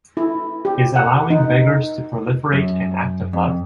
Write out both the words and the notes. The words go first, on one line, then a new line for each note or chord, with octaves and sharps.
Is allowing beggars to proliferate an act of love?
E4
G4
F#5
D#4
F#2
F2